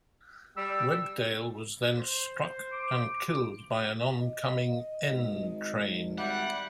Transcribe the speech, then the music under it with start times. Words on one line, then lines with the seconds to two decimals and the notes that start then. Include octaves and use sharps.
Webdale was then struck and killed by an oncoming N train.
0.56 G3 E6
1.97 C5
2.72 D6
4.18 D#5
5.10 G#1
6.18 G3 E5 F#5